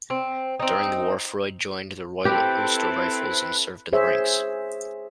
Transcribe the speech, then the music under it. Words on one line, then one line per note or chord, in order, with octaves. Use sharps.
During the war Freud joined the Royal Ulster Rifles and served in the ranks.
C4
C4 D#4
C4 E4 G4 A4 B4
G#4 C5 C#5 E5